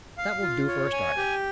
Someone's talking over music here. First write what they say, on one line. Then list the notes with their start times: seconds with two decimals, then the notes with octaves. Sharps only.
That will do for a starter.
0.18 F5
0.42 F4
0.68 C#5
0.93 G#5
1.17 G4